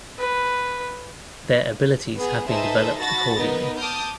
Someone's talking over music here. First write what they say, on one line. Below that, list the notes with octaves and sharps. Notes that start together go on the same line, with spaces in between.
Their abilities have been developed accordingly.
B4
B3 G#4
D#4 G#4 A4 B4 C5 E5
F#4 A5 B5 A6 A#6
B3 D#4 A#4 B4
A5 D6 D#6 F6 G6